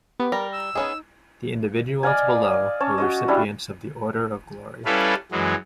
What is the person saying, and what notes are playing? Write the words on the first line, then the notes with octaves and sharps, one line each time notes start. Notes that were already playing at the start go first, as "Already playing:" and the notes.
The individuals below were recipients of the Order of Glory.
B3 G4
G3 A#4 A#5
E6
B3 C#4 D#4 G#4
D5 D#5 F5 G#5
C#4 C#5 A5
F#4 C#5 D#5
G3 D4 E4
G3 C#4 E4 A4 B4 F5
F#2 E3 F#3 G#3